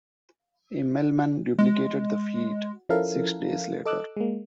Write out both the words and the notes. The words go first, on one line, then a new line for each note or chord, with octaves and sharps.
Immelmann duplicated the feat six days later.
G#3
F3 C#4 E4 A4 A#4 F5
A4 D#5 D6 E6 F#6
G#3 A#3